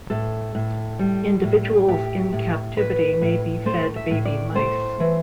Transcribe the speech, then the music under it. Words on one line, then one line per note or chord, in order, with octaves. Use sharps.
Individuals in captivity may be fed baby mice.
A2 A4
A2
G3
A2
A2 G4
A2
A2 B4
A2
A3 C5
E5
A2
D5
A3 C5
E3